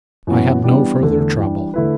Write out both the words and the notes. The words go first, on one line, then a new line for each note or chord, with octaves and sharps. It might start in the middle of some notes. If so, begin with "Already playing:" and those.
I had no further trouble.
F#2 E3 B3 F#4
E3 G3 B3 D4 G4
E2 D3 A3
E3 G3 D4 G4
D3 A3 E4 B4